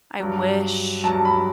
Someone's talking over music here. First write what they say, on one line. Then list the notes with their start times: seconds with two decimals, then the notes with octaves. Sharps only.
I wish
0.20 G2 F#3
1.04 G2 F#3 A5
1.25 B5